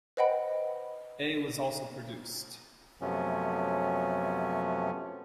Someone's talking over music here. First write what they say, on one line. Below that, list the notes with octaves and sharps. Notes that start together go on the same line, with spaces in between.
A was also produced.
B4 C5 D#5 F#5 G5 B5
F#2 C3 F3 A3 B3 C#4